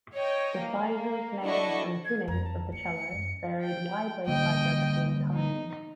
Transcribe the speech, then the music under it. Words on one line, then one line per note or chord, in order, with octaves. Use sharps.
The sizes, names, and tunings of the cello varied widely by geography and time.
C#5 D#5 G5
A#3
D4 E4 F#4 A4 D#5 C#6
G#6
F2 A#5
A5
A3 C#7
F#2
G5
D3 G3 A#3 D#5 G5
D#4